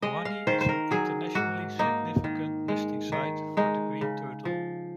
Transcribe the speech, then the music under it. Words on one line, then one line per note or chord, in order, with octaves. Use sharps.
Hoani is an internationally significant nesting site for the Green turtle.
G#3 D#5
F5
D#3 C5
C5
A#4
F#3 G#4
G#2 F#4
A#3 D#4
D#3
G#3
D#3
G#3 D#4
C#3
F3